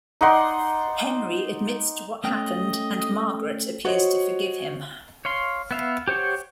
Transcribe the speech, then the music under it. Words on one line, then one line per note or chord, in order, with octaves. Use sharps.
Henry admits to what happened, and Margaret appears to forgive him.
D#4 D5 F#5 C6
A3 C#4 D#5 G5
F#4 C5 C#5 D#5
C#5 F5 C6
B3 E5 F5
G4 C5 C#5 F#5